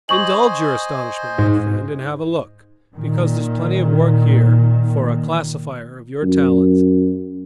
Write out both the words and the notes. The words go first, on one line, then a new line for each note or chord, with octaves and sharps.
"Indulge your astonishment, my friend, and have a look, because there's plenty of work here for a classifier of your talents."
C5 D#5 G#5 C#6 F#7
G#2
A#2 D#3
F#2